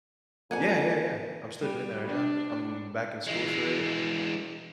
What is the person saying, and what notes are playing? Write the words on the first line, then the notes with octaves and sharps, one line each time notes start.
Yeah, yeah, yeah. I'm still doing that right now. I'm back in school for it.
F2 A#3 G#4 D5 F#5 G#5 G#6
G3
D4
E3 G#3